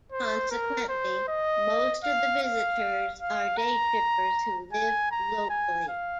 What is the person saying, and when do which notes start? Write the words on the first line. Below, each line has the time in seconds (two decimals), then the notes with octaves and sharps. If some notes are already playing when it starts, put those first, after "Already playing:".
Consequently most of the visitors are day trippers who live locally.
0.12 C5
0.51 A#4
0.89 C5
1.28 D#5
2.04 F5
2.43 F5
3.20 F5
3.57 A#5
4.73 G#5
5.12 A#5
5.50 G#5
5.88 F5